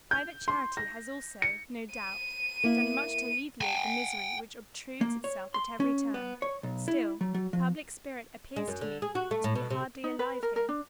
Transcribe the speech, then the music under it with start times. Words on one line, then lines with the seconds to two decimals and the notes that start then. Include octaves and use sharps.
Private charity has also, no doubt, done much to alleviate the misery which obtrudes itself at every turn; still, public spirit appears to me to be hardly alive here.
0.11 G6
0.48 C6
0.77 A#6
1.42 C#7
1.93 D#7
2.64 A#3 E4
3.61 G5 G#5
5.01 A#3
5.24 C#5
5.54 C6
5.80 C#4
6.14 B3
6.42 C#5
6.63 B1
6.88 E4
7.21 F#3
7.34 F#3
7.53 F3
8.56 G#3
8.68 F#2
8.81 D3
9.02 G#4
9.15 F#4
9.31 A3
9.44 A2
9.55 B2
9.70 C3
10.04 D#4
10.19 B4
10.43 A#4
10.56 A#4
10.69 D4